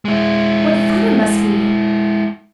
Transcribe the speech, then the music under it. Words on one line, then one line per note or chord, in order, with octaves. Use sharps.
"What fun it must be!"
G#3 E4